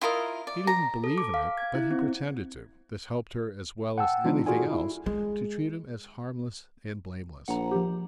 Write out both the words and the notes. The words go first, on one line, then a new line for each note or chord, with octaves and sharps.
He didn't believe in it, but he pretended to; this helped her as well as anything else to treat him as harmless and blameless.
E4 F4 A#4 D#5
D5
A#5
A4
D6
F5
G#6
E4
C4
F#5 G5 A5 E6
E3 G#3 B3 D4 D#4 F4
F4 F#4 G#4 A4 D5 G#5
E4
G#3
A#1 F#5 A#5
F3 G4